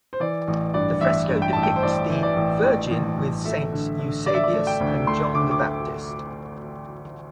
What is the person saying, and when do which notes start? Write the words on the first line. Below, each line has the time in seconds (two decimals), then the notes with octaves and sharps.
The fresco depicts the "Virgin with Saints Eusebius and John the Baptist".
0.13 C5
0.20 E3 D5
0.48 A1
0.74 G2 D5
1.01 A1 E5
1.29 G2
1.42 G5
1.53 A1 A5
1.63 G5
1.76 C5
1.83 A1 D5
2.10 E3
2.23 D5
2.36 A1
2.64 A1
2.90 A1
3.18 A1
3.45 A3 E5
3.72 D3
3.99 D3
4.26 D3 D5
4.34 E5
4.44 D5
4.53 A3
4.67 G5
4.80 D2
5.07 A3 C6
5.34 D3 D6
5.51 D6